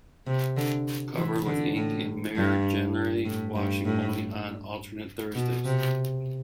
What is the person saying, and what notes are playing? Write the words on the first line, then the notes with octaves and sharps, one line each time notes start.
Covered with ink and mire generally, washing only on alternate Thursdays.
C3
D3
E3
D3
A2
G2
A2
G2
A2
B2
C3